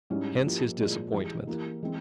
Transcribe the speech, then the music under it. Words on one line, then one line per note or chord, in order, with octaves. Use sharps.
Hence his disappointment.
G#2 G3 C#4 E4
F3 A#3 E4 G4
A#2 F3 G#3 E4 G#4
E3 G#3 E4 G4
E3 A#3 E4 G4
E3 G#3 C4